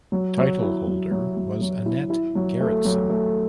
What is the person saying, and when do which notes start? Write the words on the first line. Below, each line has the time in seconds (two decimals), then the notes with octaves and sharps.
Title holder was Annette Gerritsen.
0.12 F#3
0.38 F#3
0.62 E4
0.87 F#3
1.11 F#3
1.37 F#3
1.61 F#3
1.86 E4
2.10 E4
2.35 F#3
2.60 A3
2.85 F#3
3.10 A3